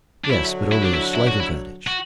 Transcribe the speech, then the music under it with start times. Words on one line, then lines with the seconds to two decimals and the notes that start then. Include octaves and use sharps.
"Yes, but only a slight advantage."
0.24 D4
0.30 D3 F#3 E4
0.72 E4
0.82 D4
0.93 E4
1.14 E4
1.26 F#4
1.40 E4
1.88 F#4